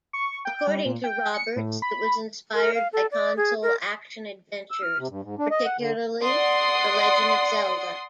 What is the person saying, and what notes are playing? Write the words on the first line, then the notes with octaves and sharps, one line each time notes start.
According to Roberts, it was inspired by console action-adventures, particularly "The Legend of Zelda".
C#6
G5
G3
A#2
G5
C#7
A2
B5
A#4
F5
A4
D5
G#4
A#4
E6
F6
C3
G2
G#2
D4
D#5
F#5
D3
D5 F#5 C6 D#6